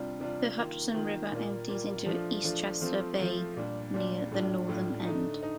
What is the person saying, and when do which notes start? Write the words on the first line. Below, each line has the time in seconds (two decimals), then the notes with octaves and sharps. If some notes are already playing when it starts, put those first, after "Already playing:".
The Hutchinson River empties into Eastchester Bay near the northern end.
Already playing: C3 G3 D4 F4
0.20 C3 G3 D4 F4
0.57 D#3 A#3 F4
0.94 D#3 A#3 F4
1.32 A#2 G3 A#3 F4
1.68 A#2 G3 A#3 F4
2.06 F3 A3 D4 F4
2.44 F3 A3 D4 F4
2.81 F3 A3 C4 F4
3.18 F3 A3 C4 F4
3.57 A#2 G3 D4
3.94 A#2 G3 D4
4.31 A2 G3 D4 F4
4.69 A2 G3 D4 F4
5.05 D3 A3 D#4
5.43 D#4